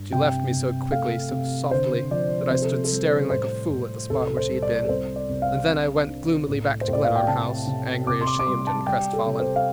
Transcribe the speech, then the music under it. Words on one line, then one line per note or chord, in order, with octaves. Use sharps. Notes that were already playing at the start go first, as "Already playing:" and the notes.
She left me so quickly, so softly, that I stood staring like a fool at the spot where she had been, and then I went gloomily back to Glenarm House, angry, ashamed and crestfallen.
Already playing: G2
C3 G5
C3
A3 F5
C3
D3 C5
F3 D5
C3 C5
A4
A4
G3
A2 C5
A2
C2 A4
C5
G3
D5
A4
C2 C5
D5
C2
F5
C3
D4
A2
C5
A2
D5
F5
G5
C3 A5
C3
C3 D6
C6
D6
D6
G3 C6
A5
G3 G5
A4
C3
C5
F5